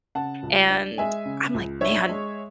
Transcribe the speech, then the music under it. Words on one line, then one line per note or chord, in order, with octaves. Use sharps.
and I'm like, "Man,
C#3 F#5 A5
C#2
D4
G#3 E5 G#5
C#3
C#2
D4 C#5 E5
G#3